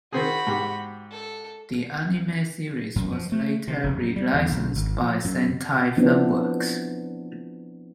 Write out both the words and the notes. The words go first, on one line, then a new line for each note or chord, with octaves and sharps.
The anime series was later re-licensed by Sentai Filmworks.
D#3 C4 F#4 G#4 B5
G#2 G4
A4
F#2
F3
A3
C3
F1
F#2
G3
E2
B1
G#1
F3
F#2
F3 B3 C4 D4 E4